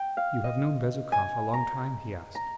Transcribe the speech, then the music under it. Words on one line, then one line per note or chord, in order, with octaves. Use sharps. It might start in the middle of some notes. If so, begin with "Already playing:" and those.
"You have known Bezukhov a long time?" he asked.
Already playing: G5
F5
D#5
G#5
A#5
A#5